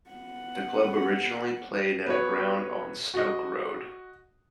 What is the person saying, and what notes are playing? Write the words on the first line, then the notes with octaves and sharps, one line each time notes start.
The club originally played at a ground on Stoke Road.
B3 F#5
B3 F#4 C#5
F#4 D#5